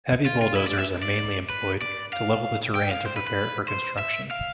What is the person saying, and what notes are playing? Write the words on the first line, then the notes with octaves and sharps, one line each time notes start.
Heavy bulldozers are mainly employed to level the terrain to prepare it for construction.
F4
F4
E4
D5
E5
D5
B4
D5
F5
G5
F5
C5
B4
B4
C5
E5
F5